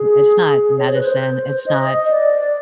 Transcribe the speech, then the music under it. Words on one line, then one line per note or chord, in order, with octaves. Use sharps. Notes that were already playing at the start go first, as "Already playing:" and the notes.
it's not medicine, it's not
Already playing: G#4
C#5
C5
B4
C5
D#5
D5